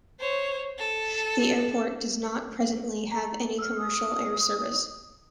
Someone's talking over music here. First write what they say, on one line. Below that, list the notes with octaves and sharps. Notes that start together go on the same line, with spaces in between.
The airport does not presently have any commercial air service.
C5 C#5
A4
A#5
E6 F6
D#6